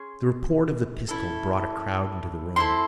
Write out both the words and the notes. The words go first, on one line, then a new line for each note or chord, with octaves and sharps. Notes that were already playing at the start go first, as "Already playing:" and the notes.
The report of the pistol brought a crowd into the room.
Already playing: C#4 G#4 C6
C#4 E4 A4
C4 E4 A4 C6